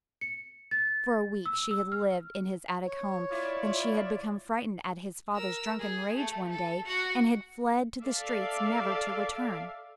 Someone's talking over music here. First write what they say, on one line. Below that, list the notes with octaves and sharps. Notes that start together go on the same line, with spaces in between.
For a week she had lived in his attic home, then she had become frightened at his father's drunken rage, one day, and had fled to the streets, never to return.
C#7
A6
E6
E6
F6
C#5
E4 F4 D5
A#4 E6
G#4
A3
A4
F#4 F#5
A4 D5 E5 F5